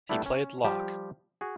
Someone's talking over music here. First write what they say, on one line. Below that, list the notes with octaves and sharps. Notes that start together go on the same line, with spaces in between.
He played lock.
G3 A3 B3 D4 E4
C#4
F3 G3 G4
F#4 G#4